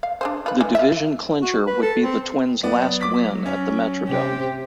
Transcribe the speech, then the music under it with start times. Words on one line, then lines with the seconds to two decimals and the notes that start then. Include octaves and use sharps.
The division clincher would be the Twins' last win at the Metrodome.
0.03 F5
0.21 D4 G#4 C5
0.46 F4 B4
0.61 E3
0.75 F4 E5
1.42 F#4
1.67 B4
1.82 A4
2.04 C4
2.63 F#3 B3 D5
3.01 D6 B6
3.46 C#4
4.07 C3 G4 C5